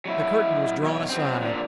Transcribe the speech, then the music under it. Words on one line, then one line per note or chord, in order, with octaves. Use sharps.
The curtain was drawn aside.
F#3 E4
B1 C#5
F#3 C4
A#2 D3